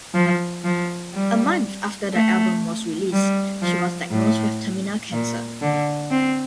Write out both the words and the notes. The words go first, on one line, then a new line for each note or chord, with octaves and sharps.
A month after the album was released, she was diagnosed with terminal cancer.
F3
F3
G3
A3
G3
F3
A2
A#2
D3
C4